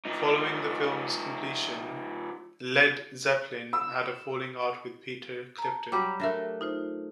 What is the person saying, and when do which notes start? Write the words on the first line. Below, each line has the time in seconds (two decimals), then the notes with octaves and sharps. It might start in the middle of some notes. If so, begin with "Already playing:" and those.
Following the film's completion, Led Zeppelin had a falling out with Peter Clifton.
0.05 F3 D#4
3.73 E6
5.58 A5 A#5
5.92 F#3 G3 G4 D6
6.20 A3 D4 A#4 E5 A#6
6.61 D#4 F4 C5